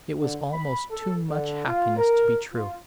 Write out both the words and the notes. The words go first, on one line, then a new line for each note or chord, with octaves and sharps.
It was almost too much happiness to be true.
D3
B5
A4
D3
F4
A#4
F4